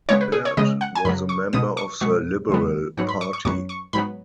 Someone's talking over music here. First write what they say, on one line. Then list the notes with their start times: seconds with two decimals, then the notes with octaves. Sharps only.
Baird was a member of the Liberal Party.
0.09 C#3 G#3 B3 C#5
0.21 B4
0.32 G#4
0.45 C#5
0.57 C#3 G#3 B3 D#5
0.81 F#5
0.95 G#5
1.05 F#2 C#3 F#3 B5
1.29 C#6
1.53 B2 B3 D#6
1.77 C#6
2.00 B2 G#3 B3 C#6
2.49 C#3 G#3 B3
2.97 G#2 F#3 B3 F#5
3.09 B5
3.21 C#6
3.33 C#6
3.45 F#2 F#3 B3 C#6
3.69 C#6
3.93 G#2 F#3 B3 B5